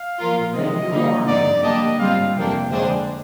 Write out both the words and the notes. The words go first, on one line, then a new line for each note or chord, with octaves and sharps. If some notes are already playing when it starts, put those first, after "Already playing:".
But then you WARNED me, didn't you, old fellow?
Already playing: F5
F3 A#3 F4 A#4
C3 D#3 G#3 D#5
D3 G3 A#3 D#4
D3 F3 C4 D#4 D5
G3 A#3 D4 G4 D#5
G3 C4 F4 F5
C3 F3 A#3 D4 G5
D3 G#3 D4 G#4 C5